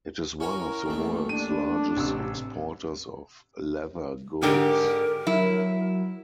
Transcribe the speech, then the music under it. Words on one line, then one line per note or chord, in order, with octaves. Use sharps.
It is one of the world's largest exporters of leather goods.
C#4 E4 F#4 A#4 C#5 C#6
A1 D#2 A3
D4 D#7
A1 C3 E6
G#2 D3 G4 A#4
F#3 E4